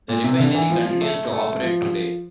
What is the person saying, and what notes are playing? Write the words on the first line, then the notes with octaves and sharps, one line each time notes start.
The refinery continues to operate today.
A#2
C3
D3
E3
F3
F3
A3
A3
F3